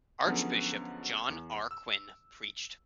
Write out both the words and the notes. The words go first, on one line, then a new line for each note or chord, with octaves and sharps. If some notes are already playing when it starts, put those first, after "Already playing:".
Archbishop John R. Quinn preached.
D3 F3 F#3 G#3 B3 C#4
E2
E6